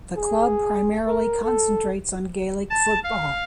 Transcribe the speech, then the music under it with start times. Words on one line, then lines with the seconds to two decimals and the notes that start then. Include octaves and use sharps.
The club primarily concentrates on Gaelic football.
0.17 G#4
1.08 A#4
1.44 A4
2.70 A5
3.04 F5